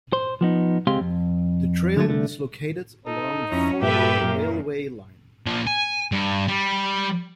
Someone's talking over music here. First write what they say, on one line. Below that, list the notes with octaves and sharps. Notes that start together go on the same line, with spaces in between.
The trail is located along the former railway line.
C5
F3 B3 D#4
C#2 G#3 C4 G4 F5 C6
F2
D3 F#3 A3
C2 D3 A3
D#4 A4
F2 C#4 E4 A#5
G2 A#2 G4 A4 B4 E5
F#2 A#2 A#4
A#2 F3
G#5
G2
G3